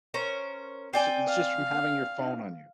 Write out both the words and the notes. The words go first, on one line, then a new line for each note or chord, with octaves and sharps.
So, it's just from having your phone on you
C#4 A#4 C5
C4 D5 G5 G#5
F5